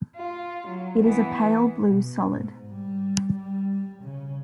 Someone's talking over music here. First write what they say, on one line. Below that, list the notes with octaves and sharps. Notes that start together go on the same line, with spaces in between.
It is a pale blue solid.
F4
F#3
E3 B3
B2
G#2
G3
G3
G3
C#3